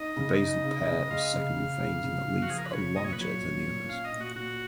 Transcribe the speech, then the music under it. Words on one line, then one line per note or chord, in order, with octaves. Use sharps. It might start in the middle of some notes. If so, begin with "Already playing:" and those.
The basal pair of secondary veins in the leaf are larger than the others.
Already playing: D#4 D#5
C#3
D#4
C#3
C#3
G#3 F5
C#3
C#3
C#3
C#3
C#3
F#4
F3 G#4
A#4
B4
C#3 C#5
A#2 D#5
C#5
B4
F#3 C#5
A#2
A#2
C#4 F5
D#5
A#2
F#4
A#2 F#4